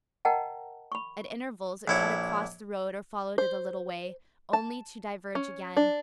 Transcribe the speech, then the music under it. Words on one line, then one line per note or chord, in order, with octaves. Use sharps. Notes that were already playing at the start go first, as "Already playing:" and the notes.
At intervals it cut across the road or followed it a little way, only to diverge again.
A#4 D#5 F#5 G5 A5 A#5
B5 C#6
A#1 E4 C#5
C5
A5
C#4
D4